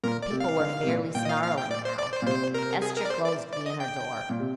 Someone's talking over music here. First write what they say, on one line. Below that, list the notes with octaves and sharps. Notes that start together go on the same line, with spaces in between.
The people were fairly snarling now. Estra closed the inner door.
A#2 A#4
D5
C3
F5
D3
C3
A#2
A#2 G5
D#5
F5
F5
G5
D5
C5
D5
C5
A#2
C3 C5
A#4
G#4
A#4
D5
C5
D5
D5
D#5
G5
A#2
C3